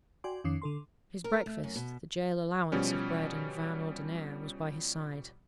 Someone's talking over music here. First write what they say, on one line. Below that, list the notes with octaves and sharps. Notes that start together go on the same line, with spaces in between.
His breakfast--the gaol-allowance of bread and vin ordinaire--was by his side.
F#4 D5 G5 G#5 C6 D6
F2 D#3 C#4 D6 C7
D3 A4 C6
A#4
A3
F#2
B2
B2 F3 G3 C#4